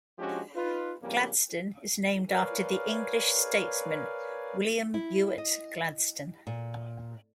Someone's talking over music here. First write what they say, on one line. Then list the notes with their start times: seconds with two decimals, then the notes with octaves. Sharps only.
Gladstone is named after the English statesman William Ewart Gladstone.
0.18 F3 G#3 C#4 D4 F#4 G4
0.55 D#4 F4 B4
1.02 F2 C#3 F3 G3 A#3
2.28 A#4 B4 C#5 D5 F5 G#5
4.94 E4
5.38 D#5
6.47 A#2